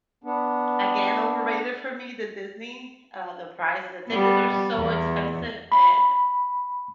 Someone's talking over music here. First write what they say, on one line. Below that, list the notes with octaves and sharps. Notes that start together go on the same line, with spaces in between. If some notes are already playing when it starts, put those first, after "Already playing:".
again, overrated for me, the Disney. Uh, the price, the tickets are so expensive, and
B3 D4
G3 B3
E2
B5